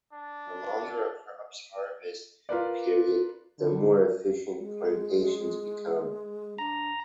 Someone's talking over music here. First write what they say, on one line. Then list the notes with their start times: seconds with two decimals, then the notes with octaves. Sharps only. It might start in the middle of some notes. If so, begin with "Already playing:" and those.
The longer a crop's harvest period, the more efficient plantations become.
0.13 D4
2.49 F4 A#4 B4 D5
3.59 D3
4.58 G#3
6.58 D4 A#5